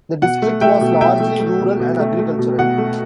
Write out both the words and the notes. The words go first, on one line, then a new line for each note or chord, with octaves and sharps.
The district was largely rural and agricultural.
B2 F#5
A3
A3 E5 G5
B2
B2 E5 G5
A3
A3
B2
B2
A3
A3
B2
B2 F#5
A3